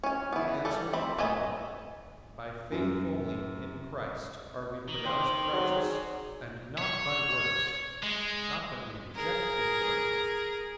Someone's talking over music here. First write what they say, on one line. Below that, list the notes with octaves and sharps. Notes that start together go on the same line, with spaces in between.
We answer with Paul, "By faith only in Christ are we pronounced righteous, and not by works." Not that we reject good works.
C#4 G#5
B3 E4
G3 A4
A3 C4 B5
A3 B3 A4 D#5 G#5
F#2
D#3
C4 C5 D6
F#3
G#4 C#5 D5
C#5
G#3
G#4 A#4